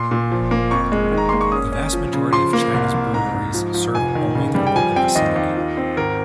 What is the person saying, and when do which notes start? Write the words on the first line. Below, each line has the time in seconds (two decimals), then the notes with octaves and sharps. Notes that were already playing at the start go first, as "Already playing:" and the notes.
The vast majority of China's breweries serve only their local vicinity.
Already playing: A#2 C6
0.11 A#2
0.31 F3
0.51 A#3
0.71 F2 C#6
0.92 G#3
1.11 D#3
1.18 A#5
1.29 A#3 C6
1.41 C#6
1.52 C#4 D#6
1.72 C#4
1.93 F3
2.13 C#3
2.33 F3 C6
2.53 A#3
2.74 C2
2.94 C2
3.13 G#2 A#5
3.34 G#2
3.54 F3
3.74 F3
3.95 F1 G#5
4.15 D#3
4.35 C#3
4.55 G3
4.67 G5
4.76 F3 G#5
4.96 C4 G5
5.15 D#2 D#5
5.36 D#2
5.56 F4
5.77 C4
5.97 G#1 A#4